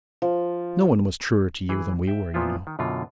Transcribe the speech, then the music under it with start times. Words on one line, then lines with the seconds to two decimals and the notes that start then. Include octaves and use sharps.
No one was truer to you than we were, you know.
0.22 F3
1.69 E3 G#4
2.08 E5 G5
2.34 A#2 F3 B3 E4 F4
2.67 D#3
2.79 F#2 B2 D3 F4